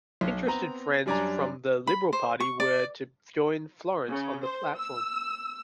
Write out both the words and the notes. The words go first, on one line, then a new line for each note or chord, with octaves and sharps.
Interested friends from the Liberal Party were to join Florence on the platform.
B1
B3 C4 A#5
F#2 G3 D4 D5 G#5 A#5
B5
C5
C#6
D5
C#3
C5
E6